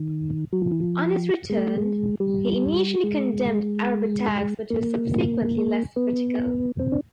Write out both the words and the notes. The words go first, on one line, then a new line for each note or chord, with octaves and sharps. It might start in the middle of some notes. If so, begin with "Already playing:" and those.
On his return, he initially condemned Arab attacks but was subsequently less critical.
Already playing: D#3
F#3
F3
E3
F3
G#3
A3
G#3
G3
G#3
A#3
B3
C4
D4